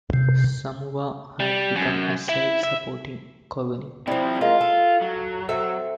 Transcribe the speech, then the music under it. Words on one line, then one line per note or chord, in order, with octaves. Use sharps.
Samoa had become a self-supporting colony.
C3
G3
F#2
E4
E5
F3 G3 C4 E4
G#3 A#3 F4 A#4
A4
F#3
C4 A4 E5